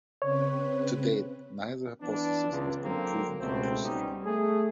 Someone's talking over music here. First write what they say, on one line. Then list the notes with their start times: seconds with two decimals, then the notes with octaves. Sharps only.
To date neither hypothesis has been proven conclusively.
0.22 C#3 C4 B4 C#5
2.01 E3 B3 D4
2.50 C#2
2.83 D3 F#3 A#3 C4
3.39 C#2 B2 A3 C4
3.83 G3 B3 C#4 D#4 G4
4.24 A3 G#4